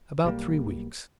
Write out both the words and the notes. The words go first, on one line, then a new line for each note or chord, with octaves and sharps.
"About three weeks."
B1 G3 A#3